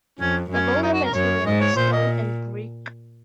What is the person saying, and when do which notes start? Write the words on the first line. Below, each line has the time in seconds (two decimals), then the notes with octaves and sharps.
The building material is stone and brick.
0.19 F2 C#4
0.51 F#2 C#4
0.83 D#4
0.93 F#4
1.04 A#4
1.14 F#2 C#5
1.46 G#2 D#5
1.61 C#5
1.76 A#2 C5
1.92 D#5